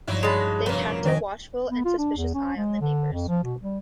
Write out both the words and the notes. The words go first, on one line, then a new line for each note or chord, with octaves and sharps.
They kept a watchful and suspicious eye on the neighbours.
G2 F3 F#3 D#4 E4
G#3 C#5 A5 B5
F1 A#2 C#3 A#3 B4
D#3 F#3 D#5 G#5 D7 D#7
B3
F4
D4
E2
C#4
G#3
D3
F2
F3
B2
G3